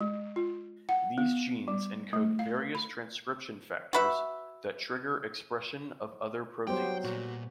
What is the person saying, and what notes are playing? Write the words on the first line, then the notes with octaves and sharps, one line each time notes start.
These genes encode various transcription factors that trigger expression of other proteins.
G#3
F4
F#5
B3
G3
A3
F5
B5
F#4 B4 E5
F#3 G3 B3 G4 C5 G5
A#2 F#4